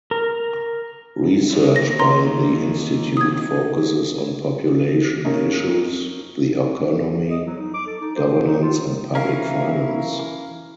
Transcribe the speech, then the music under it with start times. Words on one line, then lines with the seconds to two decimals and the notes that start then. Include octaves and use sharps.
Research by the institute focuses on population issues, the economy, governance and public finance.
0.11 A#4
1.51 E4 C#5
1.76 D#3 A#3 A#6
1.99 A#5 C6
3.17 D#6 G#6
5.25 A#3 C#4 D#4
7.30 D#5
7.45 F#3
7.59 D#4
7.74 D6
7.87 A4
8.01 D#4
8.16 C5
8.30 C5
8.46 D#4
8.62 F4
9.15 E3 C#4 E4 A#4 F5